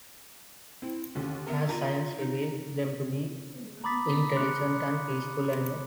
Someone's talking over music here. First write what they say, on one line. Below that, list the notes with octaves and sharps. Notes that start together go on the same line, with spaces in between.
As science revealed them to be intelligent and peaceful animals.
C4 E4
D#2 D3 C#4
B3 A#4 E5
F4 A#5
D#4
A#5 B5 D6 D#6 A6 B6
C6 D6 F#6 C#7